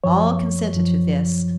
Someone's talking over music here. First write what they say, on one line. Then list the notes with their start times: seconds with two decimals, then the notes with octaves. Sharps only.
All consented to this.
0.04 F#2 F3 C#5
0.74 F#2 F3